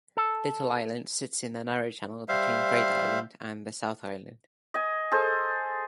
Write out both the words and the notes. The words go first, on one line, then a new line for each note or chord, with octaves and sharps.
Little Island sits in the narrow channel between Great Island and the South Island.
A4
G3 C5 E5 F5
D#5 G#5
G#4 A4 C5